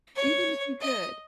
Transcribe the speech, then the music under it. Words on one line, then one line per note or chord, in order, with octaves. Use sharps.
Even if you could,
C#5
D#5